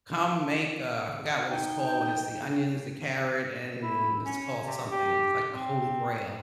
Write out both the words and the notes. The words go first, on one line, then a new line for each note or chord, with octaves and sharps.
come make" uh, I forgot what it's called when it's the onions, the carrot and it's called something- it's like the holy grail.
D#4 G5
E4
C#4
C3
G4
C4